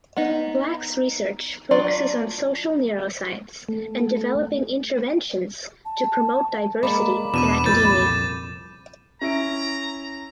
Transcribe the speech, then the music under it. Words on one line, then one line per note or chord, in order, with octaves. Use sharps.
Black’s research focuses on social neuroscience and developing interventions to promote diversity in academia.
B3 D#4
F#3 D4 F4 D5
A3
A5
G#3 A#3 D5 B5 D6
E2 B2 D4 D6 D#7 E7
C2 F2 A#2 G6 A6
C#4 E4 A#5 D7